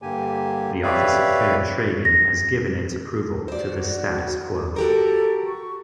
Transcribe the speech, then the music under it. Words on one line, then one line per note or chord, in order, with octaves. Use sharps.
The Office of Fair Trading has given its approval to the "status quo".
G2 D3 A#3 G4 G#5
G4 B4 C#5 D5 E5 F5
A#6
F#4 C5 D5
F#4 G4 A4 A#4
C#6